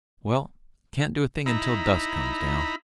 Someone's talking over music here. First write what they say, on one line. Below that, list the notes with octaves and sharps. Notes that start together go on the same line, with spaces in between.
Well, can't do a thing until dusk comes down.
D#4 E4 A#5 B5